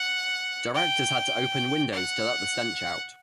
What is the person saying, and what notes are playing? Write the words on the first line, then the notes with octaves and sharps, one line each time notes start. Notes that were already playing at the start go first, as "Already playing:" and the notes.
Directors had to open windows to let the stench out.
Already playing: F#5
G5
F#5